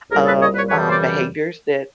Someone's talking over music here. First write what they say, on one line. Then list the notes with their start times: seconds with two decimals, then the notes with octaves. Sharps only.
of, um, behaviors that
0.11 C2 A#2 G3 G#4 A#4
0.26 A4 B4
0.41 C#5 D#5
0.55 B4 C#5
0.70 F#2 C#3 E3 G3 B4 C#5
0.89 C5 D5